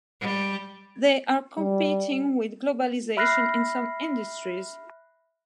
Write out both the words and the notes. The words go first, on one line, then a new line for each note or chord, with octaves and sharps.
They are competing with globalization in some industries.
G3
G3
E5 B5 F6 F#6 A#6 C7